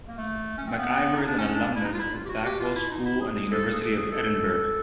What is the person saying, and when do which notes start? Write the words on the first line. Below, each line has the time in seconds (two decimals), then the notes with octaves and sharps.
McIver is an alumnus of Backwell School and the University of Edinburgh.
0.08 A#3
0.18 A3
0.58 C#4
0.67 C4
0.78 B3
1.17 D#4
1.27 D4
1.38 C#4
1.54 D4
1.76 E4
1.84 D#4
1.94 F4
1.99 E4
2.15 F4
2.25 G4
2.29 F#4
2.45 G4
2.60 F4
2.76 E4
2.91 D#4
3.05 E4
3.21 G#4
3.51 A4
3.73 G#4
3.82 A4
3.96 G#4
4.12 A4